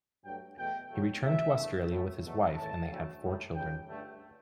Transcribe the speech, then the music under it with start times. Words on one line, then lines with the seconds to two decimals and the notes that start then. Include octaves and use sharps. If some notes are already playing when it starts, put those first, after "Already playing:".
He returned to Australia with his wife and they had four children.
0.24 G2 F#3 A3 G5
0.58 E2 B2 A3 G5
0.91 E2 C#3 F#3 A3
1.24 A2 E3 G3 E5
1.57 E2 D3 A3
1.90 A2 F#3 A3
2.23 E2 B2 F#3 A3
2.56 A2 E3 A3 A5
2.90 D2 C#3 F#3 A3
3.22 A2 E3 G3
3.55 C#2 C#3 G3 G5
3.89 G2 D3 A3